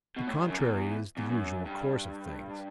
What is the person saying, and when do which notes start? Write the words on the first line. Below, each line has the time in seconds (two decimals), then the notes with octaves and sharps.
The contrary is the usual course of things.
0.17 B2
0.27 A2
0.37 G2
0.48 F#2
0.58 E2
1.17 E2
1.29 F#2
1.65 G2